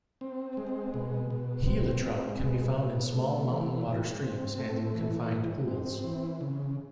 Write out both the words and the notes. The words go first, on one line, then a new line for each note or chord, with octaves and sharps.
Gila trout can be found in small mountain water streams, and in confined pools.
C4
G#3
B2
B2
C4
G#3
B2
B2
A3
E3
G#2
C4
A3
E3
G#2
C4
E3
C#3